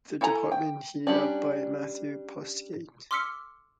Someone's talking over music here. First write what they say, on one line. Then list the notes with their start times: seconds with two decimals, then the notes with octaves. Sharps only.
The department headed up by Matthew Postgate.
0.21 E4 A4 G#5 A#5
0.52 G5
1.07 G3 C#4 D4
3.11 C6 D6 E6 F6 B6 C#7